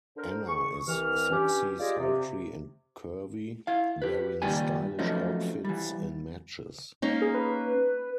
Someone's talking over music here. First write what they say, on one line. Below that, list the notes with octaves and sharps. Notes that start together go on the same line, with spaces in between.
Anna is sexy, sultry and curvy, wearing stylish outfits in matches.
D3 A#4 C5
G#4 C#6
C2 E3 F6
G2 C#4 G4
G#3 F4 G4 G#4 D5 D#5
C3
E4 F5
G4 B4
C#2 A#2 D#3 G3 G4 G#5
F3 F#3 A3 C#4 D#4
E3 G3
A#3 C#4 D#4
G#4
B4